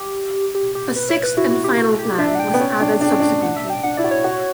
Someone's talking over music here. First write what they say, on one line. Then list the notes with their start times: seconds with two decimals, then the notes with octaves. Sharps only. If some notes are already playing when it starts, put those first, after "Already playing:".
A sixth and final plan was added subsequently.
Already playing: G4
0.55 G4
0.75 G4
0.96 B4
1.09 C#5
1.23 B4
1.37 E4 F#4
1.51 F#4
1.64 G4
1.78 F#4
1.99 G4
2.18 D4 E5
2.35 F#5
2.40 G5
2.54 B3
2.60 C#4
2.80 D4
3.01 D4
3.10 C#4
3.20 D4
3.42 F#5
3.56 E5
3.70 G5
3.83 D4 F#5
3.97 E4 D5
4.04 F#4
4.11 C#5
4.24 F#4